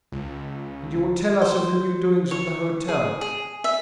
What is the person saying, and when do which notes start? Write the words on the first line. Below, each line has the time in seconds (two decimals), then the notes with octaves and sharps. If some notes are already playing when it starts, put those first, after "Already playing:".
And you will tell us of the new doings at the hotel.
0.12 C#2
1.41 C5
2.31 C#5
2.88 G#4
3.21 G#4
3.64 E5